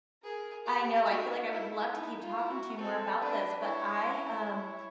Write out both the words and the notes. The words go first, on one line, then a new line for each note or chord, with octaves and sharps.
I know. I feel like I would love to keep talking to you more about this, but I, um
G#4 A#4
G4 A4
D#4 F#4
E4
D#4 E4
F4
E4
F#4
C4 A4
D4 B4
E4 C#5
C#5